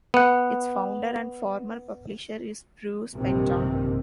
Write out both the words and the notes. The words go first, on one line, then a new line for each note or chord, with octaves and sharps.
Its founder and former publisher is Bruce Penton.
B3 F#5
A#1 G2 C3 D#3